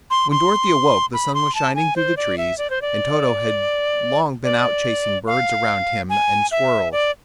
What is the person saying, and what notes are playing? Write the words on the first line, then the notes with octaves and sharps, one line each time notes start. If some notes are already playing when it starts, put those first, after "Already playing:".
When Dorothy awoke the sun was shining through the trees and Toto had long been out chasing birds around him and squirrels.
C6
C6
B5
C6
A5
G#5
C5
D5
E5
D5
C5
D5
D5
F5
G#5
E5
D5